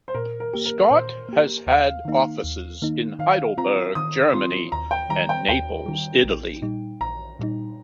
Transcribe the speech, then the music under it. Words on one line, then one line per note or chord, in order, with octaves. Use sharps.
Scott has had offices in Heidelberg, Germany and Naples, Italy.
C5
A#2 A#4
A#4
A#3 G4
A#4
A#2 C5
A#3 G4
D#2 F5
D#3 A#3 D#4
D#2
D#3 A#3 D#4
D#3 F5
C4 F4 A#5
D#3 D#6
C4 F4 C6
D#2 A#5
G5
D#3 G3 A#5
G5
D#2 G5
D#3 G3
A#1
A#2 G3 D#4
A#1 A#5
A#2 G3 D#4